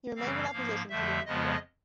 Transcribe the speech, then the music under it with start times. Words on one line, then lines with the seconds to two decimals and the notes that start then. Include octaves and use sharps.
He remained in that position until the end of the war.
0.16 F#2 C#3 E3 G3 C4 F5
0.53 G#2 F3 A#3
0.89 F2 D3 F3 A3 E5
1.26 F2 C#3 F3 G#3 B3 D#5